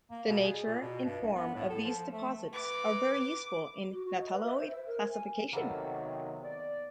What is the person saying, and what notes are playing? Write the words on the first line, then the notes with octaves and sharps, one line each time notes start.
The nature and form of these deposits are very useful in nautiloid classification.
A#3
B2
G#4
A#2
B2
G2
C2
B3
A2
A4
F3
A3
B4 D6
F#4
F#4
D#5
B4
E5
C5
E5
A#4
G#5
C3 D#3 F#3 A#3 B3 A4
D5